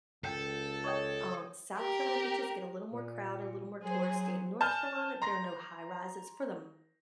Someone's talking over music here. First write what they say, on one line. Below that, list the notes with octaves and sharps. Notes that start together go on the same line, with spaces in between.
um, South Carolina beaches get a little more crowded, a little more touristy, North Carolina, there are no high-rises for the m
C#2 A4 G5
C#5 D#5 G5
G4 A#4
A#2
F#3 G#4 C5
G#5 A5 F6 G6
A#5 C6 A#6